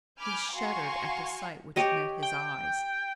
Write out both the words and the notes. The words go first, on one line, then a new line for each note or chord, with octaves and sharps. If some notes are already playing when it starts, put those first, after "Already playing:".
He shuddered at the sight which met his eyes.
G#5 B5 D6 F6 G6
F#4 F5 G#5 A#5 C6 C#6
G4 C#5 D#5
G5